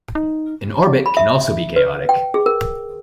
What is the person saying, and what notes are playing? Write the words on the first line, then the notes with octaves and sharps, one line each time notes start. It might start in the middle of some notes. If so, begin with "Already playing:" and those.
An orbit can also be chaotic.
D#4
B5
E5
B4
G5
G#4
A#4